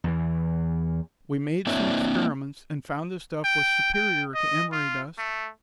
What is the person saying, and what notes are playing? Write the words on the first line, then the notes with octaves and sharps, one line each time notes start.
We made some experiments, and found the stuff was superior to emery dust.
E2 E3
A#3 C4 D4 E4 C#5 E5
G5
G5
D#5
F4
A3